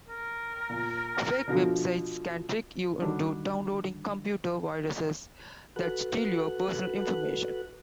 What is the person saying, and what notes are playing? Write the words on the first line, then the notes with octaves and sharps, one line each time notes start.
Fake websites can trick you into downloading computer viruses that steal your personal information.
A#4
A#2
B2 D3 F3
D3 D#3 F#3 G3 D4
F#4 A4 B4 F#6